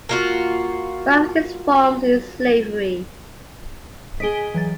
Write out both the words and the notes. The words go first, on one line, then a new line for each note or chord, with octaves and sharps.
One of its forms is slavery.
A#3 F4 F#4
G#4 D#5 B6 D7 G7
E3 F#3 A6